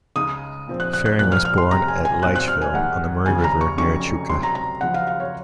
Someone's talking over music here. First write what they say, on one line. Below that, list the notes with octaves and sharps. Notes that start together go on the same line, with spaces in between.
Fehring was born at Leitchville, on the Murray River, near Echuca.
C#2 C#3 G#3 D#4 D#6
A#2 F3 C4
F#6
F#6
F#6
A#1 A#2 F3 A#3 F#6
F6
F6
C6
F#1 F2 C3 A#5
G#5
G#5
A#2 F#3 C4 F4 F#6
F#6
F6
G#5
G#2 D#3 A#3 F#5
D#2 C#3 F3 G#5
A#5
C#6
F1 F2 C#3 F#3 C#4 C#6
C#2 C3 F#3 C6
A#5
A#5
F#2 C#3 F3 F#5
F5
F5
C#5